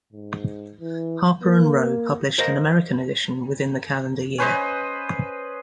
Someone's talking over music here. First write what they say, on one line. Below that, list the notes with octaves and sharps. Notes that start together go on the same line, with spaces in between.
Harper and Row published an American edition within the calendar year.
G#2
E3
A#3
A#4 C5 D#5 F5 A#5
C#4 B4 C5 D#5